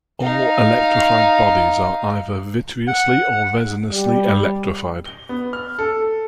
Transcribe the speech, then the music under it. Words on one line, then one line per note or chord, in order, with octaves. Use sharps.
All electrified bodies are either vitreously or resinously electrified.
D#4 F5
F#5
G3
G7
B3
F6
A4